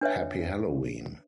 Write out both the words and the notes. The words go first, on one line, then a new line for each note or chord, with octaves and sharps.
Happy Halloween!
D4 B4 C#5 E5